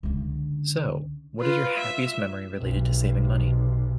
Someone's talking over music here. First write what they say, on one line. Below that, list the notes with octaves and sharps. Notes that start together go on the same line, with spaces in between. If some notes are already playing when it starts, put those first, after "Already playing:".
So, what is your happiest memory related to saving money?
C#2 D3
F4 B4
E5
B1 C3